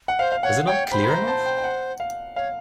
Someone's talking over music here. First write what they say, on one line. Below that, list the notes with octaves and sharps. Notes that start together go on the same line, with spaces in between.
Is it not clear enough?
F#5
C5 F5
F5
C#5 F#5
C#5 G5
C5 B5
B5
A#5
A5
G5
G5
F#5
F5
C#5 F5